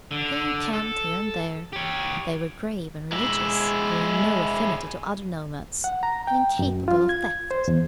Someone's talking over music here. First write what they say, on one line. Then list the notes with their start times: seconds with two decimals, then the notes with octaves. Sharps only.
They encamped here and there, but they were grave and religious, bearing no affinity to other nomads, and incapable of theft.
0.11 D3
0.74 A4
1.73 G4 C#5
3.12 G#3 E4
5.84 F#5
6.03 A#5
6.27 G5
6.59 F#2
6.88 F4
7.09 G#6
7.51 C5
7.68 E2